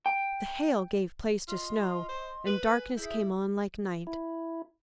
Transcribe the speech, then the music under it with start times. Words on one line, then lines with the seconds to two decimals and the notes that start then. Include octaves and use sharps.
The hail gave place to snow, and darkness came on like night.
0.06 G5
1.48 F4 D#5 C6
2.09 C5
2.47 B4
2.73 G#5
2.97 E4 G#4 E5 G6
4.07 E4